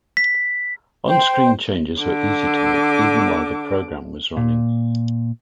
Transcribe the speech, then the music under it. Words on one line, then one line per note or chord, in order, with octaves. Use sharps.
On-screen changes were easy to make, even while the program was running.
B6
C5 G5
D3 D6
A#2